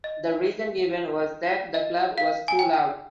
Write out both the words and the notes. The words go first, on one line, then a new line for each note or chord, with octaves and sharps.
The reason given was that the club was too loud.
D#5
D#5
F5
G#5
G5